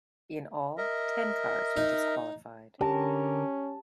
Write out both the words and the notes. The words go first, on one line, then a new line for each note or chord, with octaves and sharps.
In all, ten cars were disqualified.
A#4 D#5 E5
D#4
D3 C#4 G4 A#4 A5